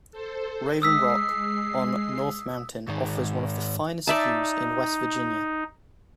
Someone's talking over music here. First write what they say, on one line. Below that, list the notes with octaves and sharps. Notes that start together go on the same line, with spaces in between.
Raven Rock, on North Mountain, offers one of the finest views in West Virginia.
A4 C5
G#3 D#6 E6 B6 C7
G#2 D#3
D#4 D5 E5 A5